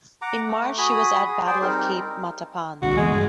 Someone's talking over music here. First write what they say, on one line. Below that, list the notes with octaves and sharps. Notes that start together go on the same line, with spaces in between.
In March she was at Battle of Cape Matapan.
F#5 A#5 D6
A3
F#4 G#5 B5 D#6
G#4
G#4 C5 D5 G5
G3 C4 D#4 A#4
D1 C2 D3 F#4
E2 G#3
G2 C#3